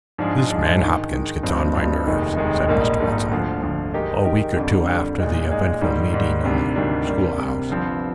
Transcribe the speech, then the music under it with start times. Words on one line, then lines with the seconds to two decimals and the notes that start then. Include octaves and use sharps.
"This man Hopkins gets on my nerves," said Mr. Watson, a week or two after the eventful meeting in the school-house.
0.18 G#2 F3 G#3 D4 G#4
0.49 G#2 F3 G#3 D4 G#4
0.81 D#3 G#3 D#4
1.12 D#3 G#3 D#4
1.43 G2 F3 C4 D#4
1.75 G2 F3 C4 D#4
2.06 F1 D#2 D#3 G#3 D#4
2.37 F1 D#2 D#3 G#3 D#4
2.68 A#1 G#2 G3 A#3 D#4
3.00 A#1 G#2 G3 A#3 D#4
3.31 D2 D3 F3
3.62 D2 D3 F3
3.93 D#3 G#3 D#4 G4 A#4
4.25 D#3 G#3 D#4 G4 A#4
4.56 F2 D3 G3
4.88 F2 D3 G3
5.19 A#2 G#3 D#4
5.50 A#2 G#3 D#4
5.81 G#2 D#3 G3
6.13 G#2 D#3 G3
6.43 D2 C3 D#3 G3 D4
6.76 D2 C3 D#3 G3 D4
7.07 C3 G3 A#3
7.38 C3 G3 A#3
7.69 G1 G2 F3 C4